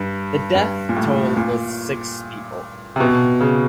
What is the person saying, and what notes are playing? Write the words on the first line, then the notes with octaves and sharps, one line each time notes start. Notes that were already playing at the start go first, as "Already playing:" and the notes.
The death toll was six people.
Already playing: G2
G2
A#2
A2
A#2
C3
B2
C#3